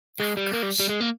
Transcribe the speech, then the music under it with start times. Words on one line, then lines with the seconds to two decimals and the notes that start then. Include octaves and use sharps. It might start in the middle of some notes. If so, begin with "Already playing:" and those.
Oh gosh.
0.20 G#3
0.37 G3
0.53 A#3
0.63 G3
0.80 G3
0.89 G#3
1.00 A#3